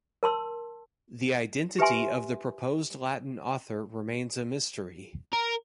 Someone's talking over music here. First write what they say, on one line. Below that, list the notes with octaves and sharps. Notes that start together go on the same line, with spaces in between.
The identity of the proposed Latin author remains a mystery.
A#4 A5 C6 E6
G4 B4 E5 G#5 C6
A#4